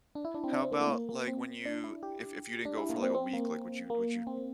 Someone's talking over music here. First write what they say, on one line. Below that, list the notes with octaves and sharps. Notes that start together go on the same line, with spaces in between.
How about, like, when you, if if you didn't go for like a week, like, would you, n would you
D4
E4
D4
C4
D4
C4
A#3
A3
A#3
A#3
C4
D4
E4
G4
D4
E4
A#3
C4
C4
A#3
A#3
C4